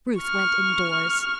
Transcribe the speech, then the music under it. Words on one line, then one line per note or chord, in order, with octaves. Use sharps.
Ruth went indoors.
C#6 F6